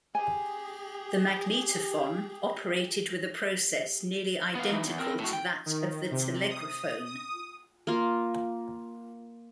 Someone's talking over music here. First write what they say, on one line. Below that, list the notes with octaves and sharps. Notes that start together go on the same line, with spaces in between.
The magnetophon operated with a process nearly identical to that of the telegraphone.
G4 G#4 G#5
B3 F5
E3 D#4
E2
C4 A#4
A2 F#4
G5
D#3
C3
D#6
D#6
A#3 F4